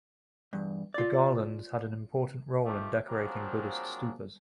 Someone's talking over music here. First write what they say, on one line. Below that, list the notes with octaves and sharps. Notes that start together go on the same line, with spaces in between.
The garlands had an important role in decorating Buddhist stupas.
E2 G2
F4 D5
D#3 F3 A3 C4 G4
F3 F#3 A#3 C4 D4 G#4